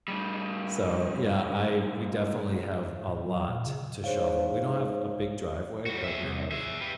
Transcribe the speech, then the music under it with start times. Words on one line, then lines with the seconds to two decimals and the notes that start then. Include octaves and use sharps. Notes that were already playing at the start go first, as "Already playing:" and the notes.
So, yeah, I we definitely have a lot to shovel. We don't have a big driveway, but we have
0.08 A2 G3
3.08 A2
3.26 F#3
3.49 A#2
3.67 C#3
4.04 G#2 C5 C#5 F5
5.86 G3 F#4
6.04 G#4 E5
6.22 C2
6.51 G#4 E5
6.81 G4 B4